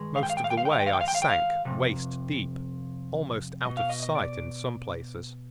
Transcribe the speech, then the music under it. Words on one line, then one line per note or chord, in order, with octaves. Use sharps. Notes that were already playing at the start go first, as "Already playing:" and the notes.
Most of the way I sank waist deep, almost out of sight in some places.
Already playing: G2 D#3 G#3
F5
G5
F5
G5
F5
G5
F5
G5
F5
G5
F5
G5
F5
G5
F5
G5
F5
F2 C3
B2 G3 D#5
F5
D#5
D#5
D5